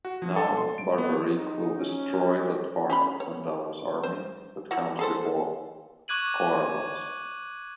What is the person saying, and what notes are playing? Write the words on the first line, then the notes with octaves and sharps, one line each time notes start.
Now, Barbareek will destroy that part of Pandavas army that comes before Kauravas.
F#4
F3
A4
C6
D7
B3
D#4
C#4
C#4 F4 B5
C#5
C5
F#3 E4 F#5
G#4 A4 C5
C#6 D6 F#6 G#6 D#7 F#7